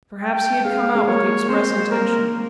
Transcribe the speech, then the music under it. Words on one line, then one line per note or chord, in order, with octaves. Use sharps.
Perhaps he had come out with the express intention.
G5
G#3 F5
G#3
A#3 C#5
G#3 C4 C5
A#3 A#4